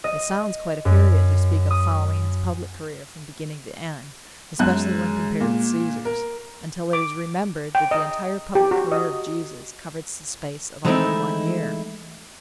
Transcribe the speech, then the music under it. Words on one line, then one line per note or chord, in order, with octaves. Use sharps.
It sounds quite a period to speak of "following his public career" from beginning to end, especially when compared with Caesar's, until it is remembered that the entire public career of Jesus covers the space of only one year.
D#5
F#2
D#6
F#2 G#3 F#6
A#2
A#4
D6
G5
D#5
G4
F#4
D#5
E3 G#3 A3 C4 D#4 E4